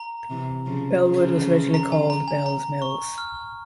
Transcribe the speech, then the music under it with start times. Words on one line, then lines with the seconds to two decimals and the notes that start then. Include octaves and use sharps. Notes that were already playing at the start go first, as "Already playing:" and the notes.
Bellwood was originally called Bell's Mills.
Already playing: A#5
0.30 C3 E3
0.66 C#3 F3
1.02 C#3 F3
1.74 A#5
1.92 G#5
2.10 A#5
2.28 G#5
2.46 A#5
2.82 C#6
3.18 F6